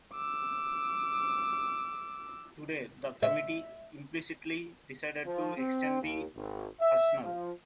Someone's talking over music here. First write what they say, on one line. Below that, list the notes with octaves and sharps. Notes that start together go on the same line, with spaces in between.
Today the committee implicitly decided to extend the arsenal.
D6 E6
E5
F3
C4
D#2
G#1
E5
F3